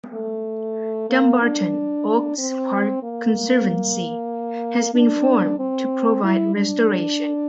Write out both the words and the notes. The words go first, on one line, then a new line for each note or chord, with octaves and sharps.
Dumbarton Oaks Park Conservancy has been formed to provide restoration.
A3
A#3
D4
C4
A#3
D4
C4
E4
D4